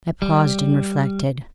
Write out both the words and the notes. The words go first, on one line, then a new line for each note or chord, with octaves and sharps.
I paused and reflected.
G3